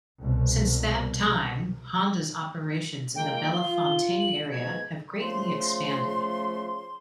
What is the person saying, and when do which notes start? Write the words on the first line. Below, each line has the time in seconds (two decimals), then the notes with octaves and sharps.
Since that time, Honda's operations in the Bellefontaine area have greatly expanded.
0.22 C2 B2
3.16 A#2 G#3 A#3 G5
3.53 F4 G7
4.19 F#7
4.52 F2 G#2 B2 G#6
5.20 C#3 F3 A3 C6